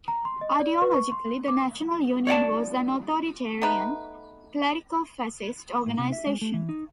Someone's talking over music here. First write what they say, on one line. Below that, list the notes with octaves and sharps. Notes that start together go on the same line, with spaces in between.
Ideologically, the National Union was an authoritarian, clerico-fascist organisation.
A#5
C6
D#5
D5
B4
C#6
C6
D6
C#5 D5 F#5 A5
A3 B3 D#4 B4
A2
C3
E5
G#3
A3
E3
D#4